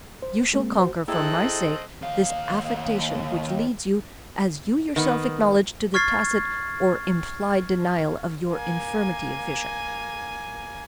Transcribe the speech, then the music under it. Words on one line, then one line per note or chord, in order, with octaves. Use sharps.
You shall conquer, for my sake, this affectation which leads you, as you yourself acknowledge, to the tacit or implied denial of your infirmity of vision.
C5
G#3 A#3 C4
F#4 C5
C4 E4 G#4 A4 D#5 G5 A#5 F#6
D#2 F5
D#3 B3
C#6 F6 G#6 A6 C7
A#3 G#5